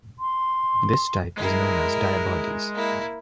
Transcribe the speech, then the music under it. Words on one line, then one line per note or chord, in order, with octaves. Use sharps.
This type is known as "diabodies".
C6
G#3 E4 A#4
A#3 E4